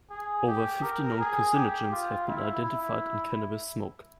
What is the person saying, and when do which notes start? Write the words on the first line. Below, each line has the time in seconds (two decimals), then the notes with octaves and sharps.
Over fifty known carcinogens have been identified in cannabis smoke.
0.10 G#4
0.47 G4
0.83 A#4
1.20 G#4
1.55 G4
1.91 F4
2.27 E4
2.63 E4